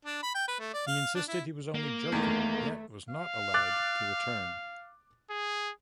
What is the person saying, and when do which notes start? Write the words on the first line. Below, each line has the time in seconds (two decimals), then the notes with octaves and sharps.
He insisted he was only joking yet was not allowed to return.
0.05 D4
0.23 B5
0.34 G5
0.48 B4
0.60 A3
0.74 D5
0.87 F5
1.15 D4
1.28 E4
1.75 A#3
2.12 E2 D#3 A3
3.10 F5
3.54 D6 F#6 A6
5.30 G#4